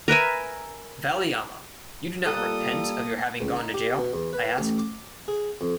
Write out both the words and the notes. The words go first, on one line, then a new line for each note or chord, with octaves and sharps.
'Valliamma, you do not repent of your having gone to jail?' I asked.
A#4 B4 E5 G#5
A#2 G3 A#3 A4 D#5 D#6 F#6
C#2
D#4
G4
B2
E2
B4
A1
D6
G#4
F2